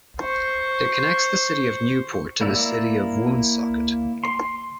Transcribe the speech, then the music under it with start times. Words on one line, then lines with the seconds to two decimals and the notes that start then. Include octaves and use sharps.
It connects the city of Newport to the city of Woonsocket.
0.21 C5 C#6
2.41 A#3 E4 D5 E6
4.24 C6